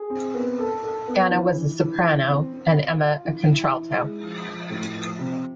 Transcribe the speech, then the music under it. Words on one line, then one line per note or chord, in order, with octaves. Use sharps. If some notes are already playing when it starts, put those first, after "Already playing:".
Anna was a soprano and Emma a contralto.
Already playing: G#4
C4
B3
A4
A4
B3
E3
E3
E3
E3
C4
C4
F4
F4
E3
E4
E4
G#3
F3
F3
A2
F3
C3